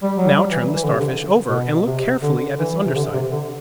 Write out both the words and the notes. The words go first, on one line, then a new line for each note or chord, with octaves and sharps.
Now turn the Starfish over, and look carefully at its underside.
G3
F#3
G3
E3
E3
D3
C3
D3
B2
C3
D3
E3
C3
D3
C3
D3